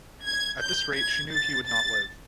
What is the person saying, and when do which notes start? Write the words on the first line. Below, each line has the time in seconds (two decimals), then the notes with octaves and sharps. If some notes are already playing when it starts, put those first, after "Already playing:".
At this rate she knew he would not live.
0.25 G#6
0.60 G6
0.96 G#6
1.32 A6
1.67 A6